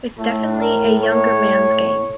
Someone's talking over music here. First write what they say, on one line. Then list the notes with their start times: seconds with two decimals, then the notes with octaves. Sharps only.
It's definitely a younger man's game.
0.18 A2 A3
0.60 A#4
1.04 C#5